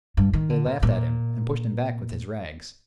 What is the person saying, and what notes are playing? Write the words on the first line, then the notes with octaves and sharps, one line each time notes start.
They laughed at him, and pushed him back, with his rags.
G2
D#3
D3
A#2
A#2